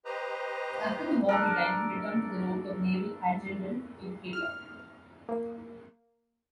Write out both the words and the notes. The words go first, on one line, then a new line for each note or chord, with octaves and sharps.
After the war began, he returned to the role of naval adjutant to Hitler.
G4 B4 C5 D#5 A#5
D4 A4 A#4
F6
A#3